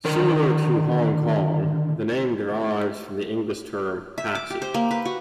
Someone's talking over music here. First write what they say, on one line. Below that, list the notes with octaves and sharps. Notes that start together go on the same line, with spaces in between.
Similar to Hong Kong, the name derives from the English term "Taxi".
D3 D#3 A#4
E5
D6
G4
C5
A#3
B4
F#4